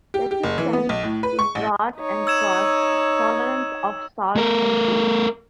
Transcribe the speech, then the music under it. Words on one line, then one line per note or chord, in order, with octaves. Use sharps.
Resistance to drought and frost; tolerance of salt and base.
G4
G4
F#1
E3
B3
B1
A2
B4
C#6
A1
D#4 C#5
E6 G#6 E7
A3 A#4